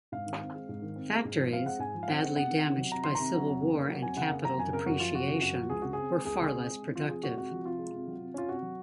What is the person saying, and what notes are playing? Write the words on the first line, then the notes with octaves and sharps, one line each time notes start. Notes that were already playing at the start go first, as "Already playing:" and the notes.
Factories, badly damaged by civil war and capital depreciation, were far less productive.
G#2 F5
D#3
C4
G#3
G#2
D#3
C4
G#3
G#2
F3
C4 F5
G#3 F#5
G#2 G#5
F3
F5
C4 F#5
G#3
C3 F#5
D#3
C3
F#3
C3 A#5
D#3 C6
C3 A#5
F#3
F2
C#3
A#3
F#3
F2 G#5
C#3 F#5
A#3
F#3 A#5
F#2 G#5
C#3 A#4
F#2 F#4
F3 F4
F#2 F#4
C#3
F#2 F#4
F3
C#2 G#4
C#3 F#4
C4 G#4
G#3
C#2 G#4
C#3
C4
G#3
C3
F3 F4
C3 G#4
G#3 F#4
C3 F#4
F3
C3 F4
G#3
C3
F#3
C3
C#4 F4
C3 F#4
F#3